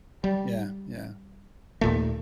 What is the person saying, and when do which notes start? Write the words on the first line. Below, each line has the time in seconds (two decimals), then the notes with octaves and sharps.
Yeah, yeah.
0.24 G3
1.81 D#2 A#2 A3